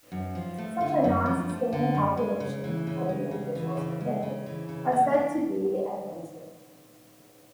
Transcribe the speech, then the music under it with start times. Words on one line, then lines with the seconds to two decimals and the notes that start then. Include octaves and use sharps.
Such a non-sustaining population, or the individuals within it, are said to be adventive.
0.12 F#2
0.35 F3
0.58 A3
0.81 D3
1.04 F#2
1.26 F3
1.49 A3
1.73 D3
1.95 F#2
2.17 G#3
2.40 C#3
2.64 E3
2.87 C#3
3.09 G#3
3.31 C#3
3.55 E3
3.77 C#3
4.01 G#3
4.23 C#3
4.46 E3
4.69 C#3
4.92 A#3
5.14 D4